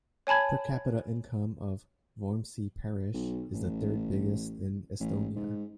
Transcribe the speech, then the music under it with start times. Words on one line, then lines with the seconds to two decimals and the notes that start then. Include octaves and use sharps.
Per capita income of Vormsi Parish is the third biggest in Estonia.
0.27 C#5 G#5 A5 B5 G#6
3.14 B1
3.53 A1
5.00 A1
5.36 G#2